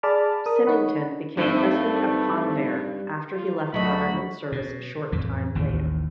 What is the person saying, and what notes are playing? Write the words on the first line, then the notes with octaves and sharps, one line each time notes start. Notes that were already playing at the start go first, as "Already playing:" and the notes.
Symington became president of Convair after he left government service a short time later.
G#4 D5 A5 B5 D6 F6
A#4 D#6
D#4 C#5 F#5 B5
G2 A3 C4 D#4 C5
F4
D2 F#3 A3 F#4 D#5 B5
B2
F2 A2 E3
A1 D#2 A2